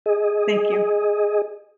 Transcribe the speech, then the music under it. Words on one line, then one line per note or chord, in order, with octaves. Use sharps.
Thank you.
G#4 D#5